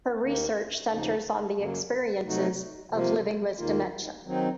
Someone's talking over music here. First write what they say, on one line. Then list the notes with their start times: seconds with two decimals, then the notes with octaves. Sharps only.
Her research centres on the experiences of living with dementia.
0.23 D#2 D#3 A#3
0.89 D#2 C#3 F3 A#3 D#4
1.56 F#2 C#3 F#3 A#3
2.24 C3 F#3 A3 D#4 F#4
2.91 C3 F3 A#3 F4
3.57 D#2 D#3 A#3 F4
4.25 D#3 F#3 C4 D#4